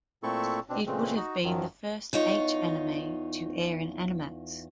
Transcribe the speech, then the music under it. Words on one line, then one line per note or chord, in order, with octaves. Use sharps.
It would have been the first H anime to air in Animax.
A#2 A3 C4 E4 A4 C#6
B2 C4 D4
A#2 C#3 E3 G#3 A3 C4
D#4 F#4
F#2 D#3 F3 F#3
E2 D#4 F4 C#5